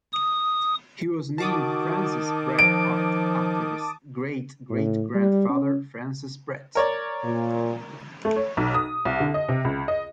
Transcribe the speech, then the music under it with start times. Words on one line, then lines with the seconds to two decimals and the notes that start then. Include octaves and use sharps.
He was named Francis Brett Hart after his great-grandfather, Francis Brett.
0.13 D#6
1.38 D#3 F#4 A5 D6 D#6
2.59 F3 D7
4.70 A2
5.15 G3
5.49 C#4
6.75 A#4 C#5 D5
7.24 A#2
8.25 A3
8.36 C#5
8.57 B1
8.74 D#6
9.05 C2
9.20 D3
9.34 D#5
9.49 C3
9.65 C#2
9.88 D#5